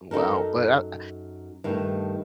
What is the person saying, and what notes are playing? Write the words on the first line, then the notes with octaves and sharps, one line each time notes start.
wow, but, ah
F#2 D#4 A4 A#4
G2 D#3 A3